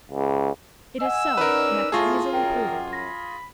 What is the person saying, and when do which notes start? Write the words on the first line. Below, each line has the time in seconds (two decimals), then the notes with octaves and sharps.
It is so, and I can easily prove it.
0.12 C#2
1.01 D#5 F#5 G#5 E6
1.37 C#4 D#4 A#4 B4 D5
1.92 A2 F4 G#4 A5 C#6 A#6
2.33 F#2 A#4 G5
2.93 B5 A#6